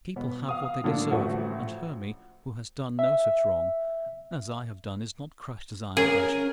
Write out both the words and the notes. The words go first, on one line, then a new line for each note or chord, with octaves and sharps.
But people have what they deserve, and Hermy, who has done no such wrong as I have done, is not crushed as I am crushed.
B2 B3
F5 D#6
A2 D3 F#3 A#3 D4
A1 F3 A3 F#4
E5
C#4 G#4 A#4